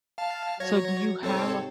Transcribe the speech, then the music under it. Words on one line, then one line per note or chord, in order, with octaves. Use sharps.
So do you have a f
F5 A5
F#3 C#5 G#6 A#6
G#2 C3 C4 A4 C#5